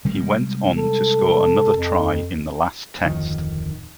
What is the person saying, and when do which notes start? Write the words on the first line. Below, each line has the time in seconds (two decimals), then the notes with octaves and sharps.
He went on to score another try in the last Test.
0.05 C3 G3 G#3
0.77 A4
1.76 F2
3.04 D1 F2 D#3